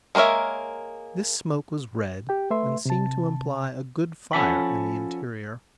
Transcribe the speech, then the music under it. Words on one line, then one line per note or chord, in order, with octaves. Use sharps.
This smoke was red, and seemed to imply a good fire in the interior.
G#3 A#3 A#4 C#5 E5
G4 G5
A3 B4 E5 C6
C3 A5
F3 C#4 F#4 A4 B5